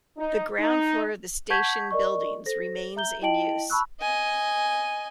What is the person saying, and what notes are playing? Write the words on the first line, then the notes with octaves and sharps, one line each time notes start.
The ground floor of the station buildings remains in use.
D#4
D#4
F#5 A5 C#6 G6 G#6 B6
A#4 D5 D#5 C#6
A4 C5 A#6
E5 A#5 G6 G7
E4 D#5 G5 A5 D7 F#7
A5 B5 C#6 E6 F#6
D#5 G#5